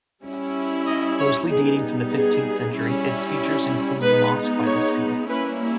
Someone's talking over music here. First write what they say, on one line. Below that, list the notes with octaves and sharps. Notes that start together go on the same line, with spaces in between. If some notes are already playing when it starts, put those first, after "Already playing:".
Mostly dating from the fifteenth century, its features include the Mosque by the Sea.
G3 C#4 E4
D#5
C#5
G3 B3 D#4 G#4
G#4
G3 C#4 E4
G#3 B3 D#4 B4
C#5
G3 A#3 C#4 E4 B4